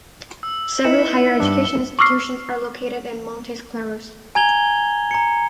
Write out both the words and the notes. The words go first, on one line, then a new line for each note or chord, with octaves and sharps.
Several higher education institutions are located in Montes Claros.
E6
D#4 E4 B4 C#7 E7
G2 D4
C#6 D6 E6 F6 C7
G#5 A#5 G#6 F7 G7
A#5 C#7